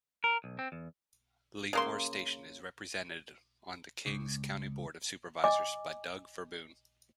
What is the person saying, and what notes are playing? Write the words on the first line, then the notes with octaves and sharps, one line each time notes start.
Lemoore Station is represented on the Kings County Board of Supervisors by Doug Verboon.
A#4
B1
C4
E2
C#3 A#3 C6
C#2
D#5 G#5 D6